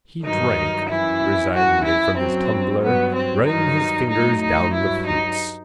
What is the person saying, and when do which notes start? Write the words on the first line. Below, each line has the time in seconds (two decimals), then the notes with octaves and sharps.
He drank resignedly from his tumbler, running his fingers down the flutes.
0.24 G2 D#3 F#3 D#4
0.88 F#2 E3 E4
1.52 F#2 E3 F#4
1.85 E4
2.17 F#2 F#3 C4
2.81 G2 F#3 B3
3.14 C4
3.45 G2 D#3 F#3 D#4
4.10 A2 F#3 D#4
4.42 D#4
4.73 G2 F#3 E4
5.06 D#4